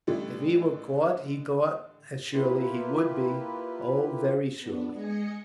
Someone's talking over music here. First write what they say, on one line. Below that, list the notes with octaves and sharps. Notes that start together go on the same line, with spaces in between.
If he were caught, he thought, as surely he would be--oh, very surely!
A1 D3 G3 A3
A#3 E4 F4 G4 B4
B3 D4
G#3 D#5 G#5 C#7